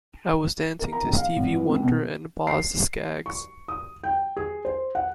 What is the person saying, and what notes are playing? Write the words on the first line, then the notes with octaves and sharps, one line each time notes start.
I was dancing to Stevie Wonder and Boz Scaggs.
A#4
A#5
A#1
F5
G#1
E3
C#2
B2
C7
C#6
D#6
G5
G#4
C5
F#5